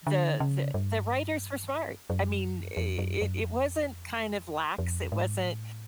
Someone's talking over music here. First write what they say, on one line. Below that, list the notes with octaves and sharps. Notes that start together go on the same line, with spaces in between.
The the the writers were smart. I mean, it it wasn't kind of lax. It wasn't
D3
C#3
G2
F#2
F2
F#2
F#2
F2
F2
G#2
A2